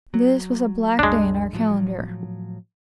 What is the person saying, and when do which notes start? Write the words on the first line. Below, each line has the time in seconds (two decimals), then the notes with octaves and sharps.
This was a black day in our calendar.
0.14 F#3
0.99 C2 F#2 G#3 D4
1.53 A2 F3 F#3